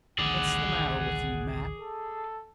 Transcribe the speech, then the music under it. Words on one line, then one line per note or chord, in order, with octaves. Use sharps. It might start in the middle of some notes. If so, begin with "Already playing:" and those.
What's the matter with you, Matt?
A1 D2 D#3 G#4 D5 F#5
A4